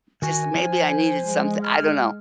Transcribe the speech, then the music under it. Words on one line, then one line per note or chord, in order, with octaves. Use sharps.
just, maybe I needed something I don't know.
D#3 F#4 G#5
F3 C5
G#3
F6